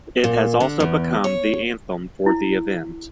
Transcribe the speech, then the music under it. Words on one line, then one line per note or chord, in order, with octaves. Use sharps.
It has also become the anthem for the event.
A#2
D3
E2
C#5
E4